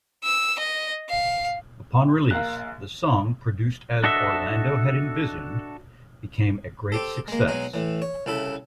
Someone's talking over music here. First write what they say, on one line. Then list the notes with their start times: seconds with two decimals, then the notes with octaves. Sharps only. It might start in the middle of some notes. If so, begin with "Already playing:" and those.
Upon release, the song, produced as Orlando had envisioned became a great success.
0.24 E6
0.59 D#5
1.10 F5
2.31 A#1 A#4 F5 F#6
4.04 D4 F#4 A4 D#5 E5
6.92 C4 G4 A4
7.28 G#3 A#3
7.48 B2 F#3 G#3 D#4
7.74 A2 E3
8.02 C#5
8.26 C2 C#3 E4 A4 B5